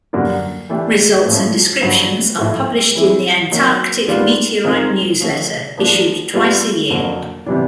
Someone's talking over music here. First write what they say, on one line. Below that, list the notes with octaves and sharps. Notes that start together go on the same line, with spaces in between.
Results and descriptions are published in the Antarctic Meteorite Newsletter, issued twice a year.
F#2 D3 G3 A#3 D4
E3 A3 D4 G4
A2 F3 A3 C#4
G2 D3 F#3
A2 F3 A3
E3 G3 C4 E4
D#3 F#3 A#3 D#4
D#3 G3 B3 D4 F4
D#3 G#3 C4 F4 A#4
F3 A3 C#4
F3 A#3 D4
G3 B3 D4 F4
F2 D3 F#3 A#3
C3 E3 G3 B3 D4